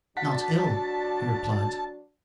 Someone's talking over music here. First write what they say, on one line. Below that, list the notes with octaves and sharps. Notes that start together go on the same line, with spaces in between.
"Not ill," he replied.
F#3 D4 F#4 F#5 A5 B6